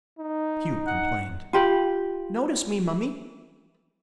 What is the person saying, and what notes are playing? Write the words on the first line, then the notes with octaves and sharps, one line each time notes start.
Hugh complained, "Notice me, mummy!"
D#4
F#5
F4 G4 B5